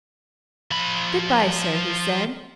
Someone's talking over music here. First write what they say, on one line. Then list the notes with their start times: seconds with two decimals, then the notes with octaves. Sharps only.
'Good-bye, sir,' he said.
0.71 F3 B5